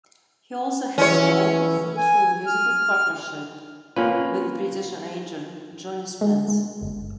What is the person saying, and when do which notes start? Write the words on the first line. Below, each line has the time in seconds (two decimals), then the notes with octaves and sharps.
He also had a long and fruitful musical partnership with British arranger Johnnie Spence.
0.98 E3 C#4 C#5
1.97 G#5
2.46 F6
3.96 A#3 C4 C#4 F4 B4
6.21 G#3
6.48 G#3
6.81 G1